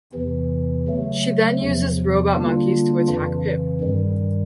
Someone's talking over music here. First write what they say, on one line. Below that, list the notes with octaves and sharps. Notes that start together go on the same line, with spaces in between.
She then uses robot monkeys to attack Pip.
E2 C3 E3
C#3 F#3 A3
E2 C3 F3
D3 G3 A#3 D4 F4
F2 C#3 E3
G2 D#3 G3